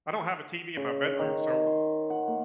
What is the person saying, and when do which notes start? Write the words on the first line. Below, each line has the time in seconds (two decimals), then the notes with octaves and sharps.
I don't have a TV in my bedroom, so,
0.77 C#3
1.19 D#3
1.67 C6
2.10 F#5
2.28 A#3